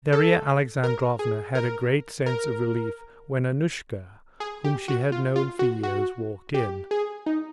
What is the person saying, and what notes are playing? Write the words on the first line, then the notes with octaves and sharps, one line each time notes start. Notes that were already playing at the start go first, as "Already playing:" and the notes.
Darya Alexandrovna had a great sense of relief when Annushka, whom she had known for years, walked in.
A4
A#4
G#4
A#4
A#4
G#4
G4
F#4
F4
F4
F#4
F#4
G4
G#4
D#4